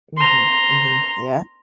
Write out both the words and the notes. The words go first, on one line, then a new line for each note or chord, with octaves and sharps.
Mhm, mhm, yeah.
A#5 C6